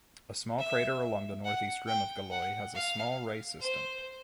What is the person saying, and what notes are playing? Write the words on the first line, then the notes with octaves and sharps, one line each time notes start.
A small crater along the northeast rim of Galois has a small ray system.
E5
F#5
G5
F#5
F5
C5